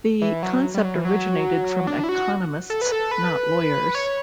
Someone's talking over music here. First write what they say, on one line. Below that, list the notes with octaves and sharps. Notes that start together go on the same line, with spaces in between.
The concept originated from economists, not lawyers.
E3
F#3
G3
F#3
E3
F#3
D4
E4
F#4
A4
B4
A4
B4
C#5